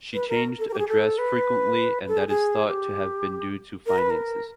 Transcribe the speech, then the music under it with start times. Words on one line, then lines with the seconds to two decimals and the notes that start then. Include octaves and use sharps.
She changed address frequently and that is thought to have been due to finances.
0.14 B4
0.29 A#4
0.59 A4
0.68 A#4
0.73 G4
0.78 G#4
0.88 A4
1.18 B4
2.08 A4
2.17 G#4
2.28 G#4
2.67 G4
3.86 A#4
3.98 B4
4.10 A#4